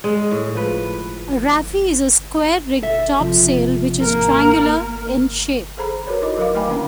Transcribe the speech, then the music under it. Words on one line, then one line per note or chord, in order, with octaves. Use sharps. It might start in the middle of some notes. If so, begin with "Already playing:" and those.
A raffee is a square-rigged topsail which is triangular in shape.
G#3
A2
F3 B4
B1 A4 E5
C#2 C3 F3
G#2 A#3 A#4
G#4 A4 C5 A#5 B5
F#4 A#4 B4 C#5
D#4 E4 D#5 D6
F#3 A#4 D#5 F5 D6
A3 E4 G5 G#5 B5
D3 A#3 C#4 D4